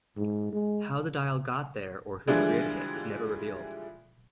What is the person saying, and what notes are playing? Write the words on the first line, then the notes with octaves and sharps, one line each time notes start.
How the dial got there or who created it is never revealed.
G#2
G#3
D3 E3 F3 G3 G#3 D4